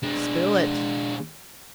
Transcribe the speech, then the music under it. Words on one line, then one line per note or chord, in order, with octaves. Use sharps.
"Spill it."
G#3 D4